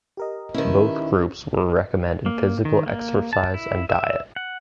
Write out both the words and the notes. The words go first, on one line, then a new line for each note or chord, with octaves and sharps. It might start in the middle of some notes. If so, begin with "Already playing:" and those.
Both groups were recommended physical exercise and diet.
G4 A#4 D#5
D#3 C#4 E4 B4 C5
A#3
D#3
A#3
A5
E4
E5
F#5